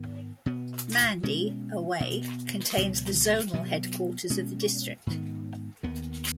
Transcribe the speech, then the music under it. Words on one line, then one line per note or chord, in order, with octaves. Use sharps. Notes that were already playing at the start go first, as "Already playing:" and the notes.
Mandi, away, contains the Zonal headquarters of the district.
Already playing: G#2 D#3 B3
B2 B3
B2 G#3 C#4
B2 B3
C#2 B2 F#3
B2 F#3 B3
B2 G#3 C#4
G#2 D#3 B3
D#2 D#3 B3